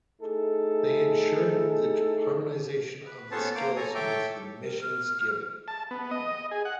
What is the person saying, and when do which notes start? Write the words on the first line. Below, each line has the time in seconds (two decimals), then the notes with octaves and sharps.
They ensured the harmonization of the skills with the missions given.
0.21 A3 D#4 E4 G#4 A4
3.06 B4
3.31 B3 C#4 A4 C5 C#5 A5
3.55 A#3 C5 D6
3.76 A4 C#5 G#5 A#5
3.95 A4 C#5 E5 G5 D6
4.63 A#4
4.81 F6
5.68 A5
5.91 B3
6.11 D#5
6.51 G#4
6.65 F#5